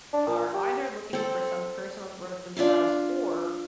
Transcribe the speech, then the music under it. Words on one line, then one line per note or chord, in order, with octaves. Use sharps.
are either looking for some personal growth themselves or,
D4
A#2
G4
C4 A4
D4 F4 E5 F5